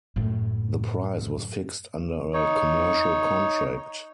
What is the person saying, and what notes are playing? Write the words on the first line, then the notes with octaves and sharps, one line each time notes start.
The price was fixed under a commercial contract.
F#2 A2
D#4 C#5